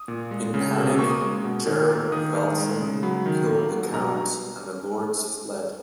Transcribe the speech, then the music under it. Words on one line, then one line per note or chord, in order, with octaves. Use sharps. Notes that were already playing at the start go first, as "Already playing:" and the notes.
In panic Gerard of Velzen killed the count, and the lords fled.
Already playing: D#6
A#2
G#3
C#3
B2 E6
D#6
A#3 C#6
D#6
G#3
B2
D#3
A#3
D#3 D#6
D#3
G#3
C#3
F#3 B5
D#3
A#3
F#3
B2 A#5